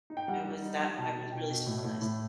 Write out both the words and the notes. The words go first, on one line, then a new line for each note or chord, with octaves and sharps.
I was that I was really surprised.
D#4
G5
G3 F#5
G3
D#4
G3
B2 A5
D#4
B2 G5
B2
A2
A2
A2